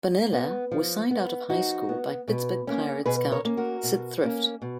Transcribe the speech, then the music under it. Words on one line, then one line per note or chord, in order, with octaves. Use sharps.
Bonilla was signed out of high school by Pittsburgh Pirates scout Syd Thrift.
B3
F3
B3
F3 D#4 F#4
B3
B2
A#3 C#4
B2 G#4 B4
A#4 C#5
A#3 C#4
F#4 A#4
B2
A#3 C#4
B2